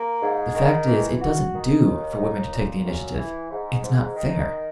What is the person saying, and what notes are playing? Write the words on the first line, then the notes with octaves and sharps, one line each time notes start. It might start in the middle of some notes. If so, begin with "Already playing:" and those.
The fact is, it doesn't do for women to take the initiative--it's not fair.
Already playing: A#3
G#2
D#3
E3
F#4
D#3
D#2
D#4
A#2
F#2
E3
G#2
G#2
D#3